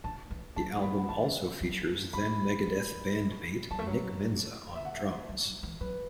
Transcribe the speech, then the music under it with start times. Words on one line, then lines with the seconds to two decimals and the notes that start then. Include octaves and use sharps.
The album also features then-Megadeth bandmate Nick Menza on drums.
0.04 D3 A5
0.31 E3
0.56 F#3 A5
0.82 B5
0.98 F#5
1.09 E3 A5
1.61 F#3
2.13 B3 B5
2.67 A3
3.71 F#3 A5
3.79 A3
3.87 F#3
4.76 E5
4.85 F#5
4.95 E5
5.29 F#3
5.46 F#3
5.63 E3
5.81 F#3 B4